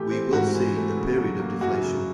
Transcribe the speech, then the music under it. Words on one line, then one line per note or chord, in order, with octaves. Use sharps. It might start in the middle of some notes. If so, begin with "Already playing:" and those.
We will see a period of deflation.
Already playing: E3 A3 G4
C4
G#2 F#4
E3
A3
C#3
F#3
A#3
F#2 F#4
C#3